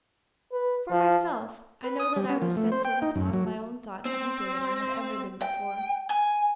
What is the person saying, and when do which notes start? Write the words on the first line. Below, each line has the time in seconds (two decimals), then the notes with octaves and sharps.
For myself, I know that I was sent in upon my own thoughts deeper than I had ever been before.
0.52 B4
0.90 F3
1.84 B4
2.00 D#6
2.16 G3
2.30 C#4
2.42 F3
2.57 A3
2.72 C5
2.85 G5
3.02 D#4
3.16 F#2
3.33 F#3
4.05 C4
5.42 G5
6.10 G#5